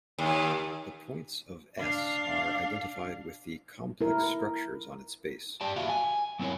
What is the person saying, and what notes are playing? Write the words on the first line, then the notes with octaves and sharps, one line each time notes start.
The points of "S" are identified with the complex structures on its base.
D#2
D4 F5
E4 A#4
G4 D5 A5
D#2 F#4 E5 F5
G#5
F#3 C4 E4 A#4 C#5